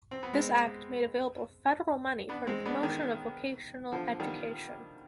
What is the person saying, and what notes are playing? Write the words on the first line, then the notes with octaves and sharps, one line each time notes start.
This act made available federal money for the promotion of vocational education.
C4
B3
G#3 C4
B3 D4
G#3 C4
B3 D4
D#3
D3 F3
D#3 G3